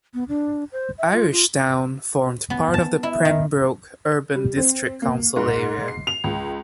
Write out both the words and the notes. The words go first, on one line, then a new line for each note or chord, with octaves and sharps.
Irishtown formed part of the Pembroke Urban District Council area.
B3
D4
C5
E5
F4
F4
B3
A5
E4
D#3
G3
C4
A#3
G#2
C7
F7
C#2